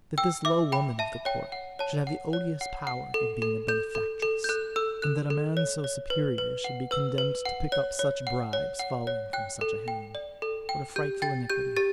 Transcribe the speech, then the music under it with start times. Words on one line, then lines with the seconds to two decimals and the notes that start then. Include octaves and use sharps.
That this low woman of the court should have the odious power of being a benefactress, and that a man so superior should be condemned to pick up such bribes falling from such a hand, what a frightful iniquity!
0.18 G5 E6
0.45 E5 D6
0.72 G5 B5
0.99 E5 A5
1.25 C#5 G5
1.52 F#5
1.79 C#5 A5
2.07 F#5
2.33 C#5
2.61 F#5
2.87 F#5
3.14 A4
3.42 A4
3.68 A4 G6
3.95 A4
4.22 A4
4.44 G6
4.49 A4 F#6
4.76 A4 E6
5.02 A4 F#6
5.30 A4
5.57 C#5
5.84 C#5
6.10 B4
6.38 B4
6.64 F#5
6.91 B4 E6
7.18 B4
7.45 F#5
7.72 C#5
7.99 C#5
8.27 F#5
8.53 C#5
8.79 F#5
9.07 C#5
9.33 G5 F#6
9.61 A4
9.88 G5
10.15 D5
10.42 A4
10.69 G5
10.96 G4 G6
11.22 G5 A6
11.50 G4 G6
11.76 G4 A6